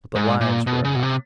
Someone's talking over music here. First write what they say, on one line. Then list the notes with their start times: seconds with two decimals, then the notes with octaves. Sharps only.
But the lines were enough.
0.15 G#2
0.41 A#2
0.67 B2
0.84 C#3
0.95 B2
1.03 C3